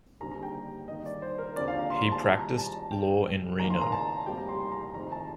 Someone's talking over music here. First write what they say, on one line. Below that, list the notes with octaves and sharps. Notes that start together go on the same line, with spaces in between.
He practiced law in Reno.
D#2 D3 G3 C4 A#5
A#5
G5
G2 D#3 A#3 D#5
D5
C5
A#4
D#2 D3 F3 C4 D5
F5
A#5
C6
A5
F2 D#3 G3 A#5
A#5
A5
C2 C3 G3 G5
F1 F2 D#3 A#3 A#5
C6
A#5
A5
F1 F2 C3 G3 A#3 G5
A#5
C6
C6
A#5
A#5
F2 D#3 A3 C4 A#5
A5